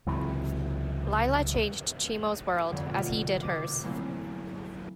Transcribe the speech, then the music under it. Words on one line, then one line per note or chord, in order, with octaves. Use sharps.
Lila changed Chimo's world, as he did hers.
C#2 C3 E3 F#3
F1 F2 D3 G5
B2 A3 F6
D#5 D6
F#3 A3 A#3 C4 C#4 E4